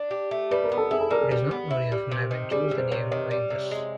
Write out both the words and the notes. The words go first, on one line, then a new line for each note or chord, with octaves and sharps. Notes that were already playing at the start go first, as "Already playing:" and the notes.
It is not known if Niven chose the name knowing this.
Already playing: D4
G4
A3
G3 B4
A#4
B3
A4
E4 G#4
A4
G3 A#4
G#4
G3 G4
B3
E4
G3
C3
D#3
G3 G#4
G4
C3
C5
C3 C#5
D#3 C#5
G3
C3
G#3